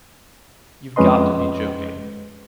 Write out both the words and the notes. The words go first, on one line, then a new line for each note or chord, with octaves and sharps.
You’ve got to be joking.
F2 G#3 C#4 B4 D#5 C6